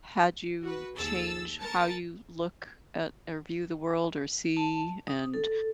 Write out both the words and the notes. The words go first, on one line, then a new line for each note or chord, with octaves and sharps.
had you change how you look at or, view the world, or see, and
F#4 B4
D#2 G#4 A4 E6 A6
A#4 A5 A6 C#7
A5
D#6
A4